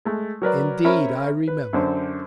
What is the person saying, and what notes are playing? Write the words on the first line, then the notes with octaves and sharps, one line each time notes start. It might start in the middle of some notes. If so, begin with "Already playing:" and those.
"Indeed I remember."
G#3 A3
F#3 A#4 B4 D5
C#4 A#4 C5 E5 B5
B4
F#2 D3 C5